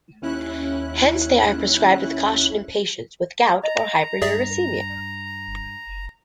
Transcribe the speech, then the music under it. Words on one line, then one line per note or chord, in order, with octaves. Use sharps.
Hence they are prescribed with caution in patients with gout or hyperuricemia.
D#2 C#4 E4 F#6
D#5 A#5
G2 G#4 D5 E5